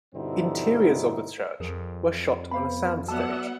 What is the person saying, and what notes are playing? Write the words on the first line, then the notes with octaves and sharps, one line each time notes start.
Interiors of the church were shot on a soundstage.
G2 B2 D3 C4 D#4 E4
F2 G#4 A#4
B3 C5 F5 B5
F#3 B3 D5 E5 F#5 A5 E6